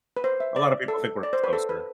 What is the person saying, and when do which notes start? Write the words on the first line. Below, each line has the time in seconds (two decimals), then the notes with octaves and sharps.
A lotta people think we're closer,
0.17 B4
0.24 C5
0.40 E5
0.56 D5
0.88 A4
1.23 D5
1.33 C5
1.44 B4
1.53 A4
1.69 B4